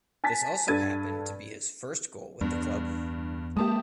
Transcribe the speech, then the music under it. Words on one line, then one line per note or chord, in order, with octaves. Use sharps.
This also happened to be his first goal with the club.
G#5 A5 A6 B6
G2 A4 G#6 A6 D#7
E2 G2 B3
G#3 A#3 G4 A5 D#6